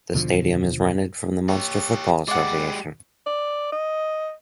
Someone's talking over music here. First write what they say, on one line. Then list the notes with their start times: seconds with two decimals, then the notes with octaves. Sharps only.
The stadium is rented from the Munster Football Association.
0.14 D#2 B2 D3 F3
1.49 G4 C#5
2.28 G#3 G4 D5 F#5
3.26 D5
3.72 D#5